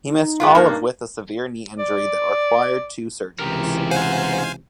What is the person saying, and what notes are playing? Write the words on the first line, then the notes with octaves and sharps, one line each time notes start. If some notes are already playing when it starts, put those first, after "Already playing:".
He missed all of with a severe knee injury that required two surgeries.
D#4
G#3 B3 F4
G2 A#3 D4
D5
C#2 C3 E3 G4 A#4
D#4 C5 F5 F#5 G#5